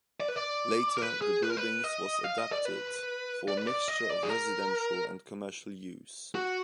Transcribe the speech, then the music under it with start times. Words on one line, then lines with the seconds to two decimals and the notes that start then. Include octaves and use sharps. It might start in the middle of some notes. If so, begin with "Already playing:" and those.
Later the buildings was adapted for a mixture of residential and commercial use.
0.20 D5
0.29 B4
0.36 D5
0.97 A#4
1.02 B4
1.22 G#4
1.43 B4
1.50 A#4
1.57 B4
1.84 D#5
2.24 F5
2.38 D#5
2.52 D5
2.65 B4
3.48 D5
3.57 B4
3.67 D5
3.88 D#5
4.10 D5
4.23 G#4
4.30 A#4
6.35 F#4